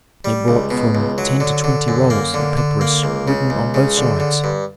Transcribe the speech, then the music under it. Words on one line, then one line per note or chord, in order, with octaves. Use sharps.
They brought from ten to twenty rolls of papyrus written on both sides.
G3
C#2
B2
C#2
F#3
D3
D3
F#2
A#3
D3
D3
A#3
C#2
C#3
C#2
C#3
D3
D3
G2